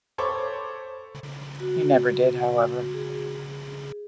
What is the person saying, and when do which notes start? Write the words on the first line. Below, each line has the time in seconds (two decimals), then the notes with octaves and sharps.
He never did, however.
0.18 A4 C5 C#5 B5 D6
1.60 F#4
2.94 G#4